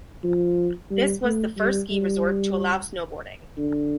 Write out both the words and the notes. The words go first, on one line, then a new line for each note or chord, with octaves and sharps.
This was the first ski resort to allow snowboarding.
F3
G3
A3
G3
G3
D3